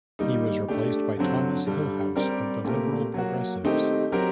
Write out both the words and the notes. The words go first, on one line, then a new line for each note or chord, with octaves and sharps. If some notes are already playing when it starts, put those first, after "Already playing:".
He was replaced by Thomas Hillhouse of the Liberal-Progressives.
D#3 G3 A#3 D#4
A3 D4 G4
G2 D3 F#3 C4
G2 D3 G3
G3 C4 G4 A#4 D5
A#2 A3 C4 G4 A#4
F#3 A#3 F#4
D#3 A3 C4 D#4 G4
F#3 C4 G4 A#4